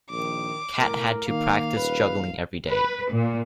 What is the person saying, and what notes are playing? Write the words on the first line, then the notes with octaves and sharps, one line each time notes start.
Cat had to practise juggling every day.
A#1 D#3 D6
A2 A#4
D#3 A#3 F5
D#1 B4
B4
A#2